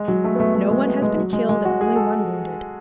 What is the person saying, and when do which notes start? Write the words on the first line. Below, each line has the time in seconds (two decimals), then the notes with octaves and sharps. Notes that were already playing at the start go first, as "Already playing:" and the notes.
No one has been killed and only one wounded.
Already playing: G#3
0.08 F#3
0.24 A3
0.35 B3
0.40 A3
0.55 A3
0.71 G#3
0.86 B3
1.02 G#3
1.17 F#3
1.33 G#3
1.49 G#3
1.65 F#4
1.81 G#4
1.96 A4